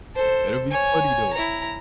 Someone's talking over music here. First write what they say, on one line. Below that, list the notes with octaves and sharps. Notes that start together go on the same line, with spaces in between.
That'd be funny though.
A4 C5
C#5 G#5
E4 A#5